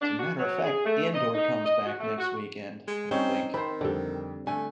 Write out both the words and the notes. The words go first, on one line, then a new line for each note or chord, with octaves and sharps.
As a matter of fact, Andor comes back next weekend, I think.
D4
F#4
F#3
G#4
A3
D#5
D#4
D#5
F#4
A3
F#4
G#3
G3 C4 C#4 D#4
D#3 C4 C5 B5
F2 D3 G3
D3 A3 G#5